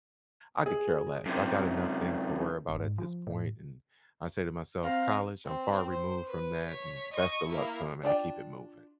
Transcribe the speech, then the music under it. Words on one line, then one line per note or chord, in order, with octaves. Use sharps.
I could care less. I got enough things to worry about at this point, and I say to myself, "College, I'm far removed from that, and best of luck to 'em," and I keep it moving.
G#4
F#2 C3
G1
G#2
F3
A2
C4 F5 A#5
C4
C5
B4
C#5 B6
D#5 C#6
A#3 E4
D4 F4 D5 G5